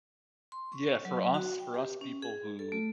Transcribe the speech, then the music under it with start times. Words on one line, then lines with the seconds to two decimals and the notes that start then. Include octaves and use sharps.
Yeah, for us for us people who
0.52 C6
0.72 C#6
1.05 F#3
1.34 F#4
1.60 G5
1.74 G4
2.01 C#4
2.22 G#4
2.59 A4
2.72 A3